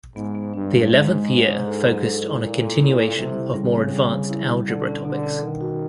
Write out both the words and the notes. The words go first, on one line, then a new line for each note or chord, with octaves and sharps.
The eleventh year focused on a continuation of more advanced algebra topics.
G#2 B3
B3
G2 D4
G#3
G#2 G#3
G#3
D4
G#3
A4
F#3
A4
E4
A#2 E4
A4
E4
A4
C3 G3
E4
C#3 G3
C4
G3
G3
E4
G3
B2 D3
C#4
B2 D3
C#4
B2 D#3
F#4